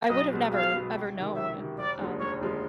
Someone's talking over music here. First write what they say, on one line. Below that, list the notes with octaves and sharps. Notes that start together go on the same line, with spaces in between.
I would have never ever known, um, ha
B1 D#5
B2 G#3 B3
B1 F5
B2 G#3 B3
C#2
C3 D#3
C#2 E5
C3 D#3
F1 D5
D#2 D3 F3 G#3
F1 C#5
D#2 D3 F3 G#3